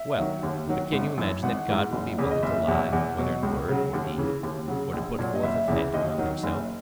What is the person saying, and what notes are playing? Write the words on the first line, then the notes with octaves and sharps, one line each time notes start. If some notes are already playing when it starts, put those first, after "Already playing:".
Well, but can you imagine that God will be willing to lie, whether in word or deed, or to put forth a phantom of himself?
Already playing: E5
D#3 F#3
D#2
D#3 F#3
G#1
F#2 E3
G#1 F#5
G#2 E3
F#1
E2 C#3
D#5
F#1 E5
E2 B2 F#3
E2
B2 F#3
C#2
C#3 F#3
D#2
C#3 E3
D#2
C#3 F#3
A#1
A#2 F#3
D#5
F#1 E5
E2 C#3 E3
D#2 D#5
D#3 F#3
F#1